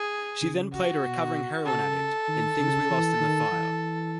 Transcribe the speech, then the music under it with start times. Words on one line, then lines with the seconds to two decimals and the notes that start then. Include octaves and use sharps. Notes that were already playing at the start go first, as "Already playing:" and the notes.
She then played a recovering heroin addict in "Things We Lost in the Fire".
Already playing: G#4
0.41 C#3
0.73 F#4
1.03 B2
1.65 C#3 A4
2.28 D#3
2.59 C#3
2.90 E3
3.20 D#3
3.52 E3